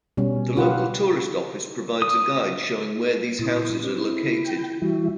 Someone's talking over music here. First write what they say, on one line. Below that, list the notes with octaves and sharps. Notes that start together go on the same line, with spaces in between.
The local tourist office provides a guide showing where these houses are located.
B2 G3 C#4
F4 G4 B4 F#5
D#6
A#2 E4 C6 D#6
C4 G4
E4
G5
E3 G3 E4 F#4